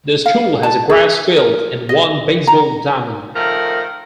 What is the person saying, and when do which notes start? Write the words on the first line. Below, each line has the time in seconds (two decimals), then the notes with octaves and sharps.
The school has a grass field and one baseball diamond.
0.26 F5
0.63 A5
0.90 G#4
1.37 A#4
1.89 D#5
2.47 A#5
3.36 D#3 F3 A3 A#4